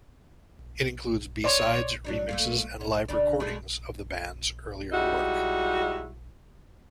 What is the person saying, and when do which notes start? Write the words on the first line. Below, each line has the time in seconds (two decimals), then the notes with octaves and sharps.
It includes b-sides, remixes, and live recordings of the band's earlier work.
1.44 C#5 D5 C6
2.04 F#3 D4 D#4
2.29 A3 A#3 F4
2.81 C#4
3.08 C#3 D4
3.40 B2 G#3 A3
4.92 G3 G#3 D#4 E4 F#4